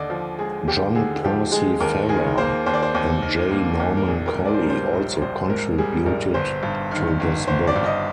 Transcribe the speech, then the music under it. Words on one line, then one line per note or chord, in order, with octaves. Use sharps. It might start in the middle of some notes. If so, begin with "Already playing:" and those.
John Percy Farrar and J. Norman Collie also contributed to this book.
Already playing: D#2 D3 D5 D#5
F3
G#3 G#4
D#2 G4
D3 G#4
F3 G4
G#3 G#4
D#2 A#4
D#3 G#4
A#3 C5
D#2 C5
D5
C5
D#2
D#3
A#3
D#2
A#4
A#1 G#4
A#4
G#2
D5
C5
G3 A#4
C5
A#1
A#1 C5
G#2 A#4
G3 G#4
A#1 A#4
G1 C5
G2
D#3
G1
G1 C5
D5
G2
D#5